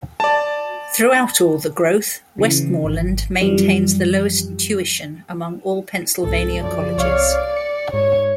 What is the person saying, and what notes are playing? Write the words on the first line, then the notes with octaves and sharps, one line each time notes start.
Throughout all the growth, Westmoreland maintains the lowest tuition among all Pennsylvania colleges.
D5 A5
C#3 E3
G#1
F#2 E3 F3 G3
C2 G#2 A4
F#2 F3 D5
C2 C#5 F5
C#7
G#2 C#5